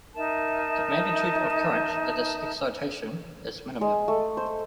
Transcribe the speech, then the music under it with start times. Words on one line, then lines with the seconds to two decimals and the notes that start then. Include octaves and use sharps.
The magnitude of current at this excitation is minimum.
0.15 D#4 A#4 E5 A5
3.81 G#3
4.08 A3
4.37 C5